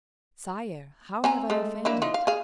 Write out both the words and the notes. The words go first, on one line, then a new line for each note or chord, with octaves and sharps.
"Sire, how have I offended?"
C4 G#5 A#5
G#3 A3
A#3 D4 E4
E3 D#4 F4
F5
G#4 F5